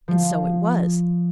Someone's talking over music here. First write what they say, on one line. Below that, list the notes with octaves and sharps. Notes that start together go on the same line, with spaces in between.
And so it was.
F3